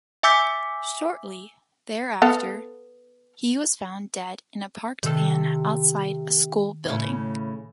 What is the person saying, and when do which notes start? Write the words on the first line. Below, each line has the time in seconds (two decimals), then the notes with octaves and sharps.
Shortly thereafter, he was found dead in a parked van outside a school building.
0.23 E5 G#5 D6 E6 G6 B6
2.22 B3 A4 F5
5.03 C3 D#3 A4
6.88 A2 C#3 E4